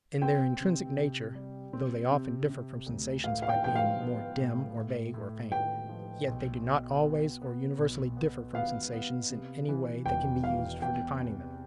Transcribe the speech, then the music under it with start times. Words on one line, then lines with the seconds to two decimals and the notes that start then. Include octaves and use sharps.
In their intrinsic nature, though they often differ from sensations by being more dim or vague or faint, yet they do not always or universally differ from sensations in any way that can be used for defining them.
0.22 C4 G5
0.60 C3
0.98 C3
1.35 G3
1.73 C4
2.11 C3
2.49 C3
2.86 D2
3.24 A2 F5
3.42 F5
3.49 G5
3.63 F3 G5
3.76 F5
4.01 B3
4.39 A2
4.76 A2
5.14 A2
5.52 A2 G5
5.89 F3
6.28 B1
6.65 B2
7.03 B3
7.42 B3
7.78 B1
8.17 B3
8.54 B3 F5
8.93 B3
9.30 C3
9.69 E3
10.05 E1 G5
10.44 E3 F5
10.82 E2 G5
11.20 C3